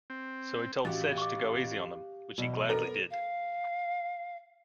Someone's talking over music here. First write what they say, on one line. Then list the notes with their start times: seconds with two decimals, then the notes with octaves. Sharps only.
So he told Sedg to go easy on them, which he gladly did.
0.10 C4
0.85 A1 F#4 G4 F5
1.18 C#6 D6
2.38 E2 B2 F#3
2.69 B3 A4 A#4
3.11 F5